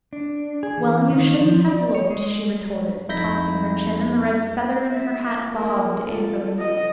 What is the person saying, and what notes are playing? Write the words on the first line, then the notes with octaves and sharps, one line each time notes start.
"Well, you shouldn't have looked," she retorted, tossing her chin; and the red feather in her hat bobbed angrily.
D4
G#4
E3
D#3
F3
D5
C#5
G#3
F2 D#4 E4 G6 A#6 B6
E5
A#3
F4 A4
D#5